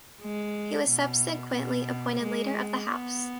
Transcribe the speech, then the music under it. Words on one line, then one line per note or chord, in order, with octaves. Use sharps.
He was subsequently appointed Leader of the House.
G#3
B2
B2
G#3
B3